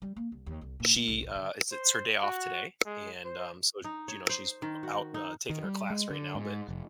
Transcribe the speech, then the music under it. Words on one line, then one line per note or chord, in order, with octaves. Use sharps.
she, uh, it's it's her day off today, and, um, so, s you know, she's out, uh, taking her class right now, but,
G3
A#3
C2
D#2
C2
A#2
A3
C2
A1
D3
C5
F#4
G#3
C5
D#4
C#5
C5
D#3
F#4
D#4
D#3
G3
G#3
D3
G#2
F1